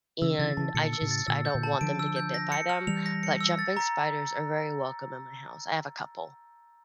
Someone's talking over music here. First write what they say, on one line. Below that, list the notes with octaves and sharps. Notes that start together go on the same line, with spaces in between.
and I just I don't want them to get bit by them. But jumping spiders are very welcome in my house, I have a couple.
C#3 E3 E6
C#3 E3 A6
C#3 E3 A5
A#2 D3 C#7
E6
A2 C#3
A6
A#2 D3 E6
G6
A#2 D3
A5
D3 F3 D7
E6
G6
A#6
C#7
F6
E3 G3 F7
A#6
C#7
E6
A6
A#5